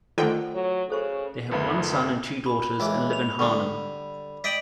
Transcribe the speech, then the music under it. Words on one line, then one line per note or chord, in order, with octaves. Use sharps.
They have one son and two daughters and live in Harnham.
D3 D#3 A3 F4 A4 C5 F#5 G5
F#3
C#3 A4 C5 C#6
F#1 D2 B3 B5
B5
C#2 E3 D6
F7
D3 G3
D5 D#5 G5 B6 D7 F#7